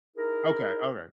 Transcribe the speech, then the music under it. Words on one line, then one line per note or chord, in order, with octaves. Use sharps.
Okay, alright.
D#4 E4 G#4 A#4